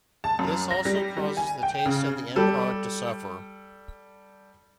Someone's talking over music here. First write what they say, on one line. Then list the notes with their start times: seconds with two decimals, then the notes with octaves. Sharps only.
This also causes the taste of the end product to suffer.
0.24 A5
0.39 F#2
0.71 A#6
0.85 G3
1.17 G3
1.37 G#5
1.63 G5
1.86 C#3
2.36 G3 A4